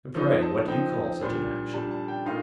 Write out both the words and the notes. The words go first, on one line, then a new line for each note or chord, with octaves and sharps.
"And pray what do you call such an action?"
F3 C4 D#4
A5
F3 C4 D#4 G5
A#2 G3 D4
A#2 G3 D4 A5
A5
G5
A#2 A3 D#4 F5